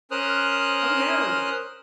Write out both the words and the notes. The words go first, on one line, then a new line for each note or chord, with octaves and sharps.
Oh, no.
C#4 A#4 C5 D#6 F6 F#6